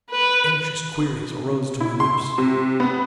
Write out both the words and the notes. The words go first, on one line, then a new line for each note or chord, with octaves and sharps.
Anxious queries arose to my lips.
B4
E4
C6
C3
B3